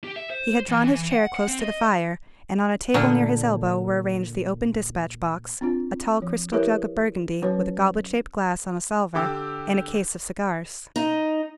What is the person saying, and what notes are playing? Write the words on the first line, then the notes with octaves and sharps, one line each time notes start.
He had drawn his chair close to the fire, and on a table near his elbow were arranged the open despatch-box, a tall crystal jug of Burgundy, with a goblet-shaped glass, on a salver, and a case of cigars.
G4
E5
C5
E3
E3
F#5
F#5
C4
D#5
A#2 D3
C4 D4 F4
F3
E4 G4 A#4 B4 C#5 E5
F#3 C#4 F#4 B4 C#5
D3 G4 D6 E6
D#4